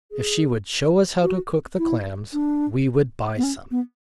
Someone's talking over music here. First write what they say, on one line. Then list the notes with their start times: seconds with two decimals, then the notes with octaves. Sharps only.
If she would show us how to cook the clams, we would buy some.
0.11 G#4
1.22 F#4
1.78 E4
2.33 D4
3.37 B3
3.43 C#4
3.71 B3